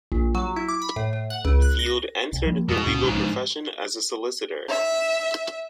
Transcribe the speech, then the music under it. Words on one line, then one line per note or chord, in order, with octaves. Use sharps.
Field entered the legal profession as a solicitor.
A#1
F#3
E4
D6
B5
A2
A2
F#5
C#2
F#6
A#6
C2
F3 G3 A#3
F2 B2 G#3
C#2 A#2 C#4
B1 G#2 F3
B3 D4
E5